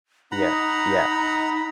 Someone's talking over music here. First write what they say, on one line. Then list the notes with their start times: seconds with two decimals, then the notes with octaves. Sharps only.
Yeah. Yeah.
0.32 D#4 F#5 A#5 B5